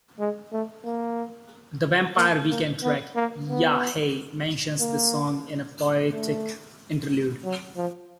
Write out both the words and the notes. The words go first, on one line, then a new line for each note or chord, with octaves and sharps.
The Vampire Weekend track "Ya Hey" mentions this song in a poetic interlude.
G#3
A3
A#3
A#3
A#3
B3
A#3
B3
A#3
A3
F#3
F3